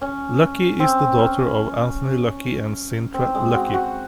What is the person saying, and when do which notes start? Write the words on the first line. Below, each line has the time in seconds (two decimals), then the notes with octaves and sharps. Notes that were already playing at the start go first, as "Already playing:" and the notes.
Lucky is the daughter of Anthony Lucky and Cintra Lucky.
0.01 C#4
0.80 C4
1.19 C#4
3.14 C4
3.35 G#3
3.54 F#4
3.74 F#4